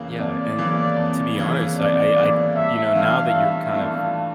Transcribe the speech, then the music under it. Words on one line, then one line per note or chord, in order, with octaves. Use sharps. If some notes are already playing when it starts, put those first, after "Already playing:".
Yeah, and to be honest, I I I you know, now that you're kind of
Already playing: F2 C#3 E3 A#3
F2 D5
C#3 E3 A#3
F2
C#3 E3 A#3
F2 D5
C#3 E3 A#3
G2 E5
E3 A3 D4 F4 F5
G2 E5
E3 A3 D4 F4 F5